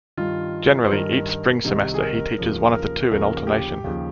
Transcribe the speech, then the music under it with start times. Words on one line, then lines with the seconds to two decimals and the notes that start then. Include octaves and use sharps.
Generally, each spring semester he teaches one of the two in alternation.
0.17 G2 D#3 F4
0.84 C5
0.91 G2 D#3 A#4
1.64 C2 C3 D#3
1.94 G#4
2.02 A#4
2.38 D#2 C#3 F3
2.74 A#4
3.11 D#2 C#3 F3 A#4
3.47 G4
3.84 D#2 C#3 F3